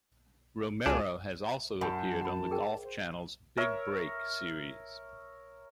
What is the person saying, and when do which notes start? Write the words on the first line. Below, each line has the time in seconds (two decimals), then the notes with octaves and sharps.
Romero has also appeared on The Golf Channel's "Big Break" series.
0.86 C#2 D4 F4 F#4 G#4 G#5 D#7
1.81 F#2 G#5 A5 B5
2.21 F#5 B5
2.51 G#4 A#4 G5
2.84 C5
3.57 A#4 C#5 E5